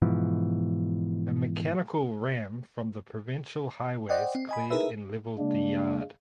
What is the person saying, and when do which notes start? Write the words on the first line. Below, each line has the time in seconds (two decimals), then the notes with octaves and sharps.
A mechanical ram from the Provincial Highways cleared and leveled the yard.
0.02 G#2 B2 E3 F3
4.09 C5 D5 D#5 F#5 G5
4.35 C4
4.49 D#5 G#5 B5
4.70 D#4 E4 G#4 A#4 B4 E5
5.38 C#3 G#3 A#3 D4